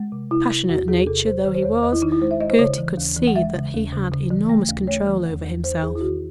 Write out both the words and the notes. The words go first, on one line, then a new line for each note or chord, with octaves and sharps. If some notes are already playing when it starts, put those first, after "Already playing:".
Passionate nature though he was Gerty could see that he had enormous control over himself.
Already playing: G#3
C3
C3 E4
C3
E2 F#4
E2 G#4
C3 A4
E2 C5
D#3 C#5
C5
E2 C#5
E2 D#5
E4
D#3 D#4
E4
G#3 C5
E5
G#3 D#5
C5
C#3 C#5
E3
D#2
E3
F#5
G#3 E5
C#3
D#2
C#3
C#3
E3
A3
D#2
A3 C#5
E3
E2
E2
E2 C5
E2 G#4
E4
D#3 F#4